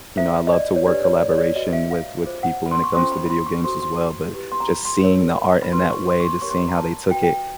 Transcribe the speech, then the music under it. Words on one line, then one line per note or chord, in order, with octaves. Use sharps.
you know, I love to work collaboration with with people, when it comes to video games as well, but, just seeing the art in that way, just seeing how they took it
E4 A4 C5 E5
D#5
D5
C#5
D4 G4 B4 D5
C#5
D5
C#5
D5
F#4 B4 D#5
E5
F5
F4 G#4 C5
F#5
B5
C6
C#6
C#4 F4 A4 C5 C6
B5
B5
C6
C#6
F#4 A4 C5 C6
C6
E4 G4 B4
C6
A#5
B5
C6
F#4 A#4 C#5
B5
F#4 B4 C6
C#6
C6
C#6
C6
D#4 G4 A#4 C#5 C#6
C6
B5
A#5
A5
F#4 B4 G5
G5